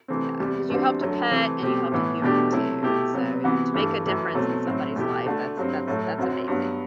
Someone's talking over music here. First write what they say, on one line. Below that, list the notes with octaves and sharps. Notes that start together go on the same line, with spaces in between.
Yeah, 'cause you helped a pet and you helped a human too, and so th to make a difference in somebody's life, that's that's that's amazing.
C3 E3 A3 C4
E2 C3 G3
E2 D3 G3 C4 F#4
F#2 D3 F#3 A3
C3 E3 A3 C4
B2 A3 C4 G4
A2 E3 B3
E2 B2 A3 D4 G4
C3 F#3 A3 E4
B2 A3 E4 G4
C3 F#3 B3
C3 E3 B3 F#4
G2 E3 A3
F#2 E3 A3
B2 F#3 A3 C4
A2 F#3 C4
E2 B2 A3 E4 G4
D3 A3 D4 F#4
G2 F#3 C4
A2 F#3 A3
F#2 F#3 C4 F#4
G2 F#3 B3